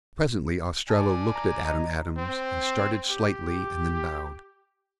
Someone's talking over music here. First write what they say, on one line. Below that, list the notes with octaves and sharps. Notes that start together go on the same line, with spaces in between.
Presently Ostrello looked at Adam Adams and started slightly and then bowed.
D5 G#5 A5
A#5
D#5 A#5
C4
G4